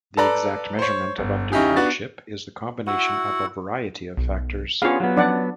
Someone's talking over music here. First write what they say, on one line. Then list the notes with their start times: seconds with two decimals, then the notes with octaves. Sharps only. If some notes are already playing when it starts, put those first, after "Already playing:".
The exact measurement of undue hardship is the combination of a variety of factors.
0.17 A4 B4 D5 A#5
0.79 C5 C#5
1.18 G1
1.52 C#3 C#4 D#4 E4 G4 G#4
1.76 B3 D4 F#4 A6
2.87 E4 F#4 F#5
4.17 B1
4.82 B3 C#4 D4 F4 G4 G#4 F5
5.00 F#3 B3
5.17 F3 C#4 D4 D5 F#5